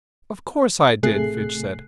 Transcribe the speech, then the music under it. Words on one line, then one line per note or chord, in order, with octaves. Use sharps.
"Of course, I did," Fitch said.
A1 C3 A3 G#4 F#6 C7